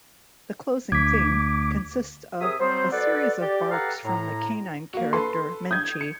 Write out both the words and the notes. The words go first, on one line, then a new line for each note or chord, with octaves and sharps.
The closing theme, consists of a series of barks from the canine character Menchi.
D2 D6 G#6 B6
C3 G#4 A#4 E5 D#6
F#3 G3 C4 C5
F#4 A4 B4 D5
G4 D5
G4 A4 B4 F5 F#5 A#5
A2 A#5
A#3 F#4
A4 B4 C6
D#6 G6 G#6
C#7